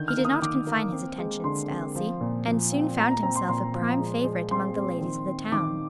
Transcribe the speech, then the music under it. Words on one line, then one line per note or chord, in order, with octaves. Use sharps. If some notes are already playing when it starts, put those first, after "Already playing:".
He did not confine his attentions to Elsie, and soon found himself a prime favorite among the ladies of the town.
Already playing: D3 D#3 G6
F6
A#3
D#6
D#3 D6
A#3
C4
G#3
D3 C6
C4
F3
A#2
F3
C4
A#2 A#5
A#5
C4 A#5
C6
A#2 C6
F3
G#3
G#3
C4 C6
C4
D#3
C4
D#3 D6